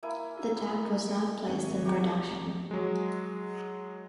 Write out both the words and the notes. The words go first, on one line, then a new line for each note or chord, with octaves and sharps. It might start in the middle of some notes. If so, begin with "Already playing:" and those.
The type was not placed in production.
A#3 E4 G#5
G#1 F#4 G#5
G4 A#5 C#6
F1
F#3 G#3